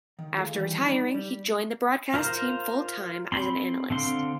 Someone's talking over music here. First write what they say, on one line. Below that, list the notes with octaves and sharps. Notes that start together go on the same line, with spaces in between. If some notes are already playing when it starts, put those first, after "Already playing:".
After retiring, he joined the broadcast team full-time as an analyst.
D#3
G#3 A3 F4 G#4
D#3 E3 G3
D#4 D5 B5
G3
F4 A#4 C5 F5 A#5
C4 B5 C6
D3 C4 F5 C6